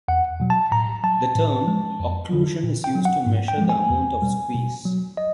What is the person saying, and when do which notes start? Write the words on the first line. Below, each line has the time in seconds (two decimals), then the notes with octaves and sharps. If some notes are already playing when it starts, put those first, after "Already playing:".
The term "occlusion" is used to measure the amount of squeeze.
0.08 E2 F#5
0.40 B2 F#3
0.50 A5
0.72 A2 A#5
1.03 F#3 A5
1.35 A2
1.68 F3 G#3
2.00 F2
2.31 D3 F#3
2.63 A#2
2.84 G5
2.95 F#3
3.05 F#5
3.26 G#2
3.48 G5
3.58 F3 G#3
3.69 G#5
3.90 E2
4.22 B2 G3
4.54 B2
4.86 F#3
5.17 D#5